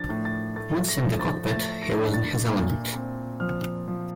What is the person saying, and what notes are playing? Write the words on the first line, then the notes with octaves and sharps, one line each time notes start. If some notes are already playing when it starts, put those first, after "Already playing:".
Once in the cockpit, he was in his element.
Already playing: F3 D4 A6
A2
A6
A3 A6
A#6
F3
A6
A3 A6
A#6
D4
A6
A#2
C4
F3 F6
F3